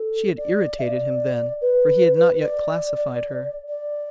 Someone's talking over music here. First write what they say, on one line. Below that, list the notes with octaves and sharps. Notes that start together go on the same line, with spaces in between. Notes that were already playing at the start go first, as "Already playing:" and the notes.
She had irritated him then, for he had not yet classified her.
Already playing: A4
D5
E5
D5
B4
D5
D5